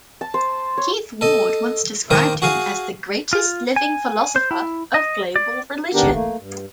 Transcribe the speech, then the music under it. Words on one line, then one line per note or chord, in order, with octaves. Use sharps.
Keith Ward once described him as the greatest living philosopher of global religion.
A5
C5
C#5
A4 D#5
D#3 A#3 A#4 C5 D#6
F#4 G#4 F5 G#5
F4
G#5
C5
E4
D#5
D5
D#3 B3 D4 G4 A#4
A3 A#3
G2